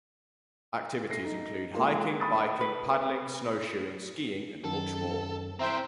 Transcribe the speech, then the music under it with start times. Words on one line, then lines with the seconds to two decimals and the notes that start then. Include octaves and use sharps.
Activities include hiking, biking, paddling, snowshoeing, skiing and much more.
1.10 A3 A#6 C7
1.25 D#4
1.75 G#3 A#3 F4
2.20 B5 D#6 A6
2.61 B4
4.64 F#2 D#3 A4
5.59 C4 E4 C5 E5 G5 A#5 C6